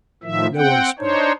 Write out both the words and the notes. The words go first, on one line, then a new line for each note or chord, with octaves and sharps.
No one spoke.
A2 D#3 F3 E5
C4 F#5 G5
D4 D#4 C5 C#5